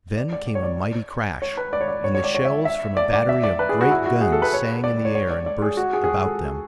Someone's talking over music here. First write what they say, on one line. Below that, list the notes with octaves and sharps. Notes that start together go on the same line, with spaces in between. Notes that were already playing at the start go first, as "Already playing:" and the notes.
Then came a mighty crash and the shells from a battery of great guns sang in the air and burst about them.
D5
D5
D5
C#5
D5
C#5
B4
D5
C#5
D5
C#5
C#5
D5
C#5
E5
E5
D5
D5
E5
D5
B4
G#4
F#4
E4
F#4
G#4
A4
B4
C#5
D5
C#5
C#5
D5
D5
G#4
F#4
G#4
G#4
F#4
A4